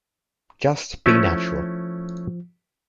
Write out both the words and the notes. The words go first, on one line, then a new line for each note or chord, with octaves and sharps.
Just be natural.
F3 A3 C#4 E4